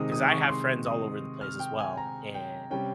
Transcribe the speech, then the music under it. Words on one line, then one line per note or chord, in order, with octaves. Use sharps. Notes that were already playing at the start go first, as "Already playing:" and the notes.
'cause I have friends all over the place as well, and
Already playing: C3 D#3 G#3 D#4 D#6
D#6
C#6
C6
D#6
F6
G5
G#5
A#5
G5
C3 G3 C#4 G5